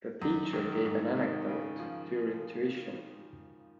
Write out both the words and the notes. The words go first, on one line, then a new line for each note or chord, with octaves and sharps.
The teacher gave an anecdote during tuition.
F#2
D#3
G#2
D#3
C#3
F3